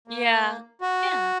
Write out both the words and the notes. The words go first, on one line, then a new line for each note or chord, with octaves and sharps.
Yeah, yeah.
A#3
F#4